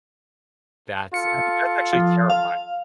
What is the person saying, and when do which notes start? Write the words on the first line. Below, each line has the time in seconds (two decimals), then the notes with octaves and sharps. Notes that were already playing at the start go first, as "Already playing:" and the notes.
That's I mean, that's actually terrifying.
1.14 F4 A4 C#7
1.93 F3
2.30 F5